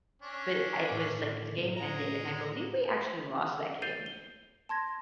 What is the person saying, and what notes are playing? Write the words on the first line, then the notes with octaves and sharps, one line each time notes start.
but I was, like the game ended, and I believe we actually lost that game.
C#4 D4
A2
G#3 A#5
F#5
G6 A6 C7 D#7 F7 G7
G7
A5 C6 G#6 A#6